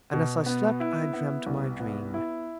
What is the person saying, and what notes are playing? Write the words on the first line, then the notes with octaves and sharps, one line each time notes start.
And as I slept I dreamed my dream.
B2
B3
E4
B3
C2
B3
E4